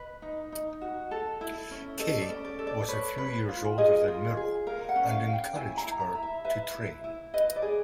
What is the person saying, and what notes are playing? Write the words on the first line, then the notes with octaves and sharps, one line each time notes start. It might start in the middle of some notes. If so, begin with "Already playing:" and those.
Kaye was a few years older than Mirrow and encouraged her to train.
Already playing: B4 D#5
D#4
D#4
F#4
A4
E4
C#4
A4 D#5
D5
C#4
D5
A4
D5
B4 C#5
B4
F4
G#4 D#5
F4
G#4
A#4 F5
F#5
C#4
F5
C#4
G5
E4 G#5
A#5
E4
A#5
E4
E5
B4 E5
E4
E4
B4 D#5
D5
G#4